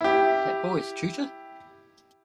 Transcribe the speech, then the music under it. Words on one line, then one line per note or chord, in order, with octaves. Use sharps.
That boy's tutor?
E4 G4